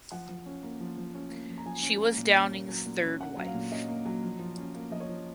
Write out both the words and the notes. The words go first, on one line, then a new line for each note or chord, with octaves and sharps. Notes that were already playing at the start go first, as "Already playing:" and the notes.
She was Downing’s third wife.
F3 F#5
F3
C#4
A#3
F3
F3
C#4
A#3
F3
A#5
F3 G#5
C#4
A#3
A#2
C#4
A#3
F#3
A#2
C#4
A#3 F#5
F#3
F5
A#2
C#4 D#5
A#3
F#3
F3
F3
C#4
A#3
F3 D#5
C#5
F3